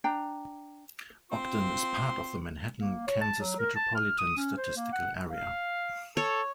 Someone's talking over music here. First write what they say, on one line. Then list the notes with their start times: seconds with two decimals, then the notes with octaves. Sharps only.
Ogden is part of the Manhattan, Kansas Metropolitan Statistical Area.
0.04 D4 G5 A#5
1.31 C4 F4 C6
2.80 A#3
3.07 C#5
3.21 A5
3.40 F#3
3.59 A#4
3.76 A5
3.95 F6
4.19 D#6
4.37 C#4
4.57 C5
4.76 A#3
4.93 F#5
5.30 F5
6.17 A4 C#5